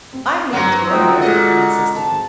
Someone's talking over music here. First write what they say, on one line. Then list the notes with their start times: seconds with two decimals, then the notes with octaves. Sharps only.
"I believe it's Werner," I insisted.
0.13 C4
0.53 G2 F#3 A#3 C5 F#5 A#5 A#6
0.90 C4 D#4 F4 F#4 C5 E5
1.22 A#2 G#3 G#4 A4 D#5 F#5
1.93 G#1 A5